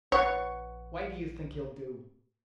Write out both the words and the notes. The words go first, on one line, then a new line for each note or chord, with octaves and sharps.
"Why do you think he'll do?"
A#1 B4 C#5 F#5 C#6